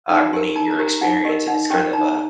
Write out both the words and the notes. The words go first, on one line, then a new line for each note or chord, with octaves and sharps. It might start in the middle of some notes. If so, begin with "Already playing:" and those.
uh ruining your experience, and it's kind of a
D#4 A#5
G4 A#4 C6
D#4 A#5
A#5
G4 A#4
A#5
D#4 F#5
G4 A#4 D#5
D#4 F#5
G4 A#4 G5
D#4 A#5